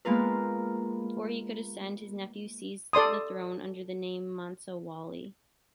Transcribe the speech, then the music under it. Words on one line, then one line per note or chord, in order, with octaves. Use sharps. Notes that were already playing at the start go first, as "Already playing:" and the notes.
Before he could ascend, his nephew seized the throne under the name Mansa Wali.
G#3 A#3 B3 F4 A#4 B4
A4 D5 C6 D#6